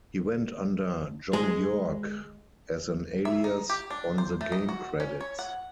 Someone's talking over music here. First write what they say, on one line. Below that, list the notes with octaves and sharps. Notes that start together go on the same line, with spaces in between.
He went under "John York" as an alias on the game credits.
G#3 G#4
E5
D#4
G4
D4
C5
A3
D#5
F#4
C#4
C#5
F#5